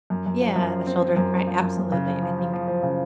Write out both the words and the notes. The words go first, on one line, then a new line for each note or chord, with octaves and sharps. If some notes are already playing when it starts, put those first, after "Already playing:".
Yeah, a shoulder to cry absolutely, I think
F#2
F#2
F3
F#2
F3
C4
C4
F#2
C4
F3
F#2
F#2
C#3
F3
F3
F3
F3
F3
C#3